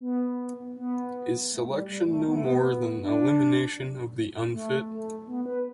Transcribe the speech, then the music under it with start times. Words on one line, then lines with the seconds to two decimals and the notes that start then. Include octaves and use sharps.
Is selection no more than the elimination of the unfit?
0.01 B3
0.76 B3
1.51 A3
1.70 G3
1.89 G3
2.08 A3
2.26 B3
2.36 A3
2.45 B3
3.02 D4
4.52 A3
4.89 A3
5.27 B3
5.46 B4